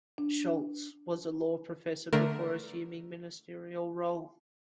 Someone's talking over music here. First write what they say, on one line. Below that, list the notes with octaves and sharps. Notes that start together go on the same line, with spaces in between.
Scholz was a law professor before assuming ministerial role.
D4
D3 A3 A#4